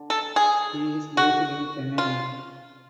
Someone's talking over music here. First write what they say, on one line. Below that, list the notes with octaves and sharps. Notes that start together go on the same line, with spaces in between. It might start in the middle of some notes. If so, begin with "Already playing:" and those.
He is based in Chennai.
Already playing: D3
A4
G#4
F#4
F4